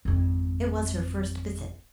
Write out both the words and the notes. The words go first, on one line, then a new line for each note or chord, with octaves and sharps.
It was her first visit.
G#1 F2